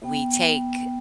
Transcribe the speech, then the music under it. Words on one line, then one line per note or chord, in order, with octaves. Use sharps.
we take
B3 G5
B3